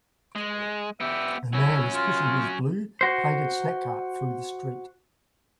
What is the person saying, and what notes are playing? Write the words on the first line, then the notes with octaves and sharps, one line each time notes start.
A man is pushing his blue painted snack cart through the street.
G#3
B3 G4 E5
F#3 C#4 E4
F4
F#4 C5